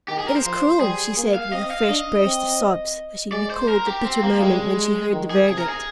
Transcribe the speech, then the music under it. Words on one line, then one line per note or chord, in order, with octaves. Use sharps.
"It is cruel!" she said with a fresh burst of sobs, as she recalled the bitter moment when she heard the verdict.
D#3 G4
G#4
A#4
C5
F3
G3 G#4
A#3
F5
C4 D#5
F5
D4 D#5
C4
G#3 D5
C5
A#4
G4
C4
A#3
G3 G#3
D#3
G#4
C3 G#4
A#4
G#4